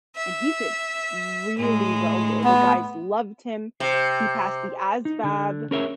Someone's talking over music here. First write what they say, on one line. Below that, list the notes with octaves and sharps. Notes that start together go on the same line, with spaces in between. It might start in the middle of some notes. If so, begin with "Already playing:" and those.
and he did really well there, the guys loved him, he passed the ASVAB,
E5
A2 G#3
B3
C3
D#4
D3
C#4 G#4 A#4 C#5 E5